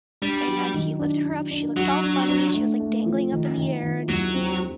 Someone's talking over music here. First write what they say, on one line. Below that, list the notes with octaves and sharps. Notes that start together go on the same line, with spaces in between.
and he lifted her up, she looked all funny, she was, like, dangling up in the air, and she's,
G3 D4
F#3
D#3
D4
D4
D4
F#3 F#4
D4
D4
A3
A3
F3
D#3
D#3
D#3
D#2 F#3
C4
G3